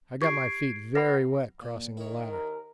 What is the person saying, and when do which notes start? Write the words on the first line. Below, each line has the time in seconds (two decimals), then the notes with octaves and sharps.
I got my feet very wet crossing the latter.
0.22 G4 G#6 C7 D7
0.95 B4 F#5 B5 A#6
1.61 A#2
1.97 D#3 E4 C#5
2.30 A#4